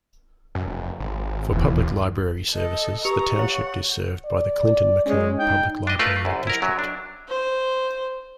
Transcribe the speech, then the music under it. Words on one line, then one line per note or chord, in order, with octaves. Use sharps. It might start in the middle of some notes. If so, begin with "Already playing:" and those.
For public library services, the Township is served by the Clinton-Macomb Public Library district.
F#2
F1
G#1
E1 A#1 E2
D#2
A4 D#5
G4 A#5 C#6 C#7 F7
C#5 F#5
D5
G#3 C#4
D#4 G5
D4 D#5
A3 F4 A#4 B4
C2 F#2
E4 A#4
F#2 F#3
D4
C5